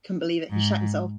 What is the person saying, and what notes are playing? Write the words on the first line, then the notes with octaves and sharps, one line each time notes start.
I couldn't believe it, he shat himself!
G#2